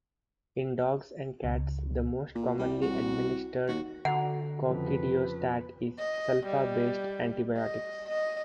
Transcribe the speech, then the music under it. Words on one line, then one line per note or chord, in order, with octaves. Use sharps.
In dogs and cats, the most commonly administered coccidiostat is sulfa-based antibiotics.
C#2
A#2
C2 G3
F#4
D#2 F#4
D3 F#4 F#5 A#5 F7
F2 C#3 F3 B4
D#5
G3
D#5
D#5